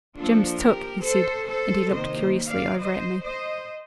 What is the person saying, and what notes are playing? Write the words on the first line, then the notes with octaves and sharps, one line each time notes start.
'Jim's took,' he said, and he looked curiously over at me.
F3 A#3 D4 F4 A4
G4 A#4
A4 C5
A4 C5
C3 D#3 A#3 C5 D#5
D5 F5
C5 D#5
C5 D#5